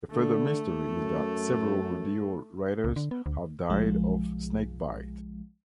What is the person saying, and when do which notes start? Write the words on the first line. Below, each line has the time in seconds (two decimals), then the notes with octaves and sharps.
A further mystery is that several rodeo riders have died of snakebite.
0.11 D3 A3
0.85 F#2
2.84 C#2
2.96 D3
3.11 B3
3.26 D2
3.69 B1 F3 G#3